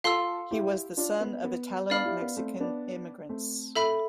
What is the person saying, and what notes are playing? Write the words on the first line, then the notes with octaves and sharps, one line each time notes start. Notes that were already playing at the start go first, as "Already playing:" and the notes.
He was the son of Italo-Mexican immigrants.
F4 A4 F5 C6 E6
E4 G4
D4 F4
B3
B3
B3 D4 D5 F5 B5 F6
E4 G4
B3
A3 C4
B3 D4
A3 C4
A4 E5 B5